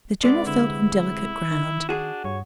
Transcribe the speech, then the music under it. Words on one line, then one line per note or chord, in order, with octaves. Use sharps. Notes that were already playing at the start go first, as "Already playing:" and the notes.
The General felt on delicate ground.
C3 G#3 B3 D5
D3 E4
D#3
D4 F#4 G#4
G2 C#5